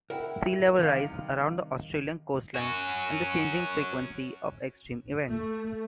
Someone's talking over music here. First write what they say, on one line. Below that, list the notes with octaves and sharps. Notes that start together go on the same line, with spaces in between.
Sea-level rise around the Australian coastline and the changing frequency of extreme events.
E4 A#4 F#5 G5
G2 C3 D#3 F5
C#4 F#4
A3